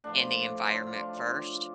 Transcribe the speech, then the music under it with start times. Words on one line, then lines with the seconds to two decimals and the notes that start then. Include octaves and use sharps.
in the environment first
0.04 A2 F3 D4
0.59 C4
0.72 D4
0.86 F4
0.99 D4
1.14 D4